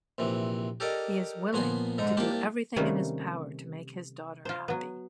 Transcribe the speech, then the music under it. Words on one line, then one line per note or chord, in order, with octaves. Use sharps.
He is willing to do everything in his power to make his daughter happy.
A#1 C3 E3
G4 A4 A#4 D5 D#5
A#2 F3 B3 G#5 C6
G#2 D3 D#4
C2 A#3 D4 G4 A5
C3 D#3 G3 A3 A#3 C#4
F4 C5
F#3 B3